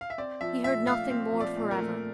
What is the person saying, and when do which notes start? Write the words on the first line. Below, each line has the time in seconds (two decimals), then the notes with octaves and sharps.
He heard nothing more forever.
0.01 F5
0.10 E5
0.18 C4 D5
0.41 F3 E5
0.63 A#2 E5
0.86 A3 F5
1.10 C4 F5
1.33 F3
1.40 D5
1.56 A#2
1.71 A#4
1.78 A3